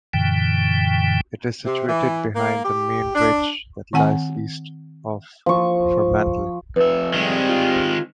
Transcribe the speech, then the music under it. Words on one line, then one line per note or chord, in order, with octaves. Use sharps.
It is situated behind the main ridge that lies east of Fremantle.
F#2 A#2 D3 E3 G5
C3
E3
A#3
G4
D4
D#3 C4 F#5 G#5
F3 C#6
F2 B4 E5
D#3 G3 G#3 C4
F4